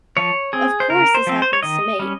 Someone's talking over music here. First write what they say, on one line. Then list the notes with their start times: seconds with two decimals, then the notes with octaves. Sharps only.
"Of course, this happens to me."
0.17 F3 C#5
0.53 C4 G#4
0.80 C5
0.89 C#3 A#4
1.15 C5
1.27 F3 C4
1.42 C5
1.53 C#5
1.63 D#3 D#5
1.99 G3 C#4